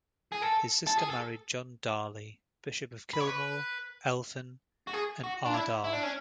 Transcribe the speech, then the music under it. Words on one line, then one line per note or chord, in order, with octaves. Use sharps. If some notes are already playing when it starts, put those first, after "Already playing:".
His sister married John Darley, bishop of Kilmore, Elphin, and Ardagh.
G#4
A4
A4
G#4
A4
B4
C#5
B4
F#4
G#4
F#4
D4
E4
E4
D4
C#4